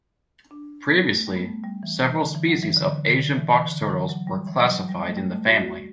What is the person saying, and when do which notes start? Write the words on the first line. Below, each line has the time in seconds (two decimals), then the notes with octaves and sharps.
Previously, several species of Asian box turtles were classified in the family.
0.51 D4
0.89 B3
1.08 A3
1.27 G3
1.36 B3
1.45 A3
1.64 G3
1.83 E3
2.02 E3
2.21 D3
2.35 E3
2.48 F#3
2.63 E3
2.77 D3
3.06 D3
3.34 E3
3.52 E3
3.71 D3
3.90 E3
4.09 F#3
4.27 G3
4.47 E3
4.61 F#3
4.75 F#3
4.89 G3
5.04 A3
5.17 G3
5.32 A3
5.45 F#4
5.60 F#4